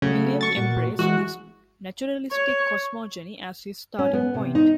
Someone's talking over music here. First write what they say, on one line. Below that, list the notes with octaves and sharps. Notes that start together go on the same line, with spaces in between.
William embraced this "naturalistic cosmogeny" as his starting point.
C#3 F#3 A3
C#6 A6
A#2 F#4
E3 G#3 F#4
C#5
C#4
B3
C3
D#4